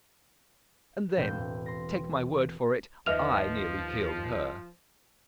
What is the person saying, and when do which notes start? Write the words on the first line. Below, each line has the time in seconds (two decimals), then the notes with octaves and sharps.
And then, take my word for it, I nearly killed her.
1.17 E1 A2 C4 G6
1.66 C6 A#6
3.06 D#2 F3 B4 D#5 E5 F6 F7